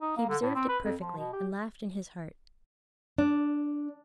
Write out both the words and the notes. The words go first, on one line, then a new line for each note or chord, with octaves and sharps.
He observed it perfectly, and laughed in his heart.
D#4
A#3
D3
A2
C4
B4
F2
F3
B2
G4
D4